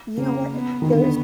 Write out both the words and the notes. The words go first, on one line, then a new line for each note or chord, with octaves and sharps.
You know, what, there's
C#3 A#3
B3
D#3
D3 B3